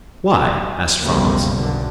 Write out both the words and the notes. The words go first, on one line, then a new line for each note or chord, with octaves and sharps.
"Why?" asked Franz.
F#1 B1 F2 F3 G3 A#3
B1 F#2 D3